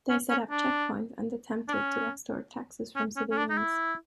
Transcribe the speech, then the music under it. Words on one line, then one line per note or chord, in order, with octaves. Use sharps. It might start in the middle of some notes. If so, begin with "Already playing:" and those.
They set up checkpoints, and attempted to extort "taxes" from civilians.
C#4
C#4
D4
D4
C#4
C#4
C#4
C#4
D4
D#4
E4